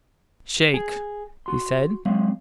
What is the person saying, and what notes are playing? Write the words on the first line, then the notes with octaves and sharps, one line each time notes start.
"Shake!" he said.
G#4
F#4 C6
F#3 G#3 C4 F5